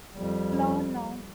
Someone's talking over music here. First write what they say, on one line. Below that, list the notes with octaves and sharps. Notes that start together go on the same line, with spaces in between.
Law no.
F2 G3